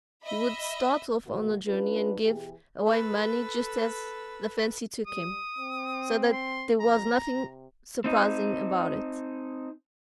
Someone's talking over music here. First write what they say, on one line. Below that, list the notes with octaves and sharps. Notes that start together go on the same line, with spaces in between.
He would start off on a journey and give away money just as the fancy took him, so that there was nothing surprising about it.
D#5 E5 B5
G#2 B2 D#3 A3 A#3 F#4
C#4 D4 F4 B4
B2 E3 G4 G#4
A4 B4
G3 D#6
C4
C6
F2 A#5
C3
C4 D#4